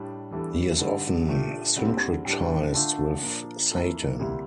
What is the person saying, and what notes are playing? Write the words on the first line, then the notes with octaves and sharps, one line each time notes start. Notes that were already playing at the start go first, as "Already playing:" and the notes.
He is often syncretised with Satan.
Already playing: A2 G3 D4
E2 E3 G3 D4 A4
G2 D3 G3
A#2 A3 D4 G4
D2 D3 G3 C4
A2 G3 D4
D3 A3 D4 F4 A4
A#2 F3 A#3 D4
E3 A#3 F4 A4
D2 C3 G3 A#3 E4